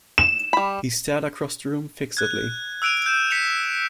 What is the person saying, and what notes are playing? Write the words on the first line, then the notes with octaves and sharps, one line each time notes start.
He stared across the room fixedly.
E7
G3 B5
F#6 G#6
E6 F#6 D7 D#7 F7
G6 E7
B6 C#7 D#7 F7